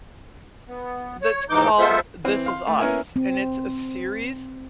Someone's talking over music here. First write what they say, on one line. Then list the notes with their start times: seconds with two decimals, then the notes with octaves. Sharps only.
that's called "This Is Us", and it's a series,
0.68 B3
1.21 C#5
1.50 D#2 G#2 E3 D#4 D6 G6
1.79 G#3 B3 F4 A4 C5 E5
2.24 E3 C4
2.46 F5 C6
2.67 A3
2.79 A#3 B3 C#4 E4 A#4 G#5
3.16 C4